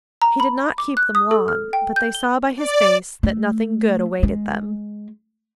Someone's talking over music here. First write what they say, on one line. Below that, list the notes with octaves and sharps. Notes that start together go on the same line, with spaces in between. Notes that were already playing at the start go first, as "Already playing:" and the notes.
He did not keep them long, but they saw by his face that nothing good awaited them.
A#5
B5
D6
F#6
D#6
A4
F6
G5
G6
G7
D5
A3
G#3